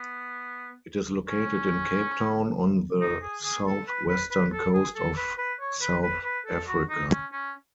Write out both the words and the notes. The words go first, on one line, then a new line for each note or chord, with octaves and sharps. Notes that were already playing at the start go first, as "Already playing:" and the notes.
It is located in Cape Town, on the southwestern coast of South Africa.
Already playing: B3
C#4
D#4
G#4
G#4
A4
B4
B4
B4
A4
G#4
A4
B4
B4
C#5
B4
B4
B4
A4
F#4
D#4
C#4
C#4